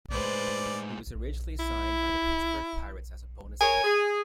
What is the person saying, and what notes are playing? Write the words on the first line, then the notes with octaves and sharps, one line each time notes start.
He was originally signed by the Pittsburgh Pirates as a bonus baby.
A2 G#3 B4 C5 D5
E4
A#4 C#5 G#5
G#4